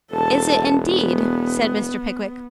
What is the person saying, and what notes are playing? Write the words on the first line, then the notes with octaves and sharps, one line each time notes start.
'Is it, indeed?' said Mr. Pickwick.
E1 A4 A5
B3